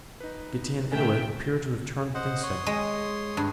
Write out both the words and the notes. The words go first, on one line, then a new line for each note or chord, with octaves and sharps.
Getanittowit appeared to have turned against him.
D#4 B4
B2 D#3 A3 C#4 A4 E5 G5 G#5
C5 D#5 F#5
C#5 C6 D#6
G#3
G2